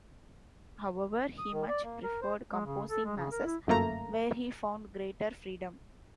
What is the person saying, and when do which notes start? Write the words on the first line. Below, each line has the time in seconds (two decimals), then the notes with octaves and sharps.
However, he much preferred composing Masses, where he found greater freedom.
1.38 D#6
1.52 D#3
1.69 D5
1.84 A#3
2.04 A#4
2.22 C5
2.52 G#3
2.66 C#3
2.89 A4
3.05 G#3
3.17 C#3
3.32 A#4
3.47 E4
3.67 G1 F#2 A3 A#3 A#5